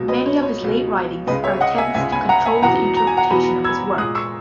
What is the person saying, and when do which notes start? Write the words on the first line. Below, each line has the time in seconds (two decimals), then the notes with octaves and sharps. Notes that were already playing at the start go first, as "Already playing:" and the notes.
Many of his late writings are attempts to control the interpretation of his work.
Already playing: C#2 B2 F#3
0.08 B4 D#5
0.26 C#5
0.42 C#5
0.59 C#2 B2 F#3
1.27 C#2 C#3 G#3 B4 D#5
1.44 C#5 E5
1.61 D#5 F#5
1.78 E5 G#5
1.95 C#2 C#3 G#3 E5 G#5
2.12 G#5 B5
2.29 F#5 A#5
2.46 E5 G#5
2.62 E2 B2 F#3 F#5 A#5
2.97 A#5
3.07 G#5
3.17 F#5 A#5
3.30 E2 B2 F#3 G#5 B5
3.64 E6 G#6
3.98 G#3 D#6 F#6
4.02 A#2
4.15 C#6 E6